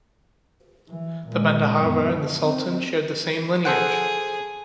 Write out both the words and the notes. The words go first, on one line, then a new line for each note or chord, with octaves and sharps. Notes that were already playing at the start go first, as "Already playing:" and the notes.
The bendahara and the sultan shared the same lineage.
E3
A#2 G#3
F#2 B3
D3 F3
C4
G#4 A4 C5 F#5